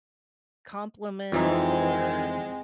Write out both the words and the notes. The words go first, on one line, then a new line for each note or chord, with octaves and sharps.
compliments or
F2 E3 G#3 C4 D#4